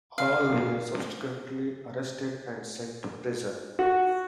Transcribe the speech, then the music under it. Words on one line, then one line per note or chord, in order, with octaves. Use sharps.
All were subsequently arrested and sent to prison.
F5
F#4